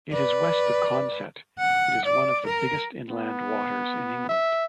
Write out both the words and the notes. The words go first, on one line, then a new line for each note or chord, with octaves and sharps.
It is west of Consett.It is one of the biggest inland waters in England.
B4 D5
F#5
D5
A#4
B3
E5